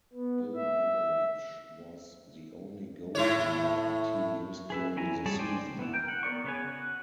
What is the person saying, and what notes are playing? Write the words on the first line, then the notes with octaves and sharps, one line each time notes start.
Bill Beveridge was the only goaltender the team used during the season.
B3
E5
A2 E4 C#5
G#4 B4 E5
C#4 E4 G#5 A#5
G3 G#4 C#5 A5
C5 D5 G5 G#5
E3 B3
A#4 G5
F#5
B3 A#4 D5 C#6
C#3 B3 B4 C#5 G#5
F#4